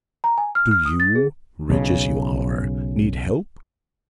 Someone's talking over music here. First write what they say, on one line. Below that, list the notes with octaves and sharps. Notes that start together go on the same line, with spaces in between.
'Do you, rich as you are, need help?
A#5
G#5
F6
F6
D#6
A6
G#4
B1 C#3